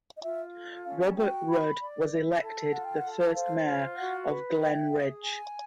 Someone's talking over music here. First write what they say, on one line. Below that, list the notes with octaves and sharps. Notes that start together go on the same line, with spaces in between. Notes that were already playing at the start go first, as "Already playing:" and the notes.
Robert Rudd was elected the first mayor of Glen Ridge.
D#5
F4 E5
A4
C#4 F5
F#4 G5
B5
D5
E4
A4
F4 F#5
G5
A4 F#5
C5 F5
F4
F#4 F#5
B4
E5 G5
G#4
G#5